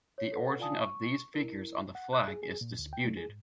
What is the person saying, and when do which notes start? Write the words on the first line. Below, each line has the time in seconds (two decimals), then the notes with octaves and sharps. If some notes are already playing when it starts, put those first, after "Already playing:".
The origin of these figures on the flag is disputed.
0.18 C#5
0.32 A4 B4 C#5 F#5
0.59 F4 D5 F5 G#5 A5 D#6
0.80 C#6
1.34 E4 A#4
1.95 F#5
2.13 F#6
2.28 G#4
2.43 G#4
2.61 A#2
2.79 D2
2.93 G5
3.05 A3
3.17 G#4
3.29 G#2